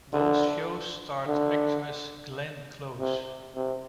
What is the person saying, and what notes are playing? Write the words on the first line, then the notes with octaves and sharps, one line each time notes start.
Both shows starred actress Glenn Close.
D3
D3
C3
C3